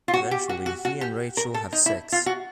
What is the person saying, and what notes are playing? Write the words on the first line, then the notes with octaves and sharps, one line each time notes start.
Eventually, he and Rachel have sex.
F4
F#4
G4
F#4
F#4
F#4
G4
A#4
A4
D#4
E4
F4
F#4